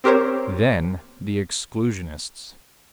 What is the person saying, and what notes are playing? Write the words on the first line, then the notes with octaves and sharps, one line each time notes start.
Then the exclusionists.
C4 G4 A#4 C5 C#5